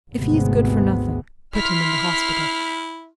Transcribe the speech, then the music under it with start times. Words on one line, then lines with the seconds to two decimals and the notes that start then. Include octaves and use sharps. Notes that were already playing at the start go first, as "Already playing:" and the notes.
If he is good for nothing, put him in the hospital.
0.13 G#1 D2 C3 G#3 B3
1.55 E4 C6 F6 B6